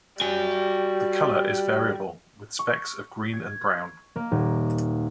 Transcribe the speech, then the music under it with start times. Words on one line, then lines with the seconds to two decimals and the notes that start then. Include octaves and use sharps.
The color is variable, with specks of green and brown.
0.21 G3 F#4 G#5
2.59 C#6
3.34 G#6
4.16 A#3
4.31 D#1